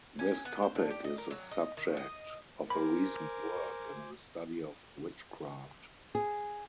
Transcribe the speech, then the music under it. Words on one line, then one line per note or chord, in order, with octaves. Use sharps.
This topic is the subject of a recent work in the study of witchcraft.
C#4
B3
C5
D3
G4
D#5
A#4
F#3
D#5
D#3
D#5
A#4 C5 G#5 B5 D6
G#4